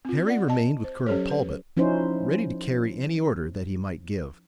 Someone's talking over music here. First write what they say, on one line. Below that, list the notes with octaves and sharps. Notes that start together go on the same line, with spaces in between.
Harry remained with Colonel Talbot, ready to carry any order that he might give.
C4 F4
D5 F#5
D#5 A5
C5
F#3 C#4 G4 A4 C5 C#5
B4
F3 C#4 D#4 E4 C5